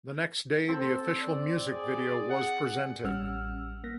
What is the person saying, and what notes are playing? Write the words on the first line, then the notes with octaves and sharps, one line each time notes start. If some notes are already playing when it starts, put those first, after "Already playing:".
The next day the official music video was presented.
C4 A4
D5
G#4 D5
F#5
A1 G3 C#4 F#5 E6 F6
A#3 A#6